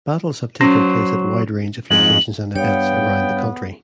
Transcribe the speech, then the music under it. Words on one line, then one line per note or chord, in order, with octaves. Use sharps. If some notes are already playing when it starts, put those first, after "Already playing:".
Battles have taken place at wide range of locations and events around the country.
F#3 C#4 C5
F2 G#2 G#3 F#7
G2 B3 C#5 F5 G5